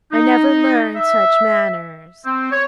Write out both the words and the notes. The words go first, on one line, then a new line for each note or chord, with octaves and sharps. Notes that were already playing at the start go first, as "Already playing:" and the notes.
I never learned such manners.
D#4
E5
C4
C#5